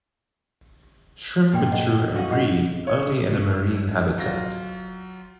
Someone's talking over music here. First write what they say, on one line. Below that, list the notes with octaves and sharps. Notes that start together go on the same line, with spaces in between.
Shrimp mature and breed only in a marine habitat.
G2 A#2 B4 G5
D#5 E5 F#5
D#4 F#4 F5
D#5 F#5 B5
C#5
F#3 F4 A#6